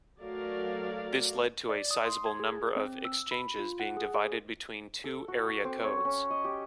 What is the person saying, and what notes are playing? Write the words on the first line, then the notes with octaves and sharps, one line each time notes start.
This led to a sizeable number of exchanges being divided between two area codes.
F#3 A3 F#4 A#4 D5 F5
D5
D#6
C6
G#6
G#4
C4
E6
B5
F4
F#5
G#4
G#4
A4
F#4
D6
C4
C#5
C#4
D#5
G4